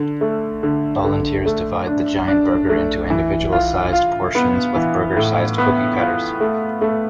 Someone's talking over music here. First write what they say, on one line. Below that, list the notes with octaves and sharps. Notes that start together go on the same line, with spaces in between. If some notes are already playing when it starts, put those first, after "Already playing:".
Volunteers divide the giant burger into individual sized portions with burger-sized cookie cutters.
Already playing: D3
A3
D3
D3
A3
D4
D4
A3
E3
F4
F4
B3
E3
A2
B3
F4
A3
A3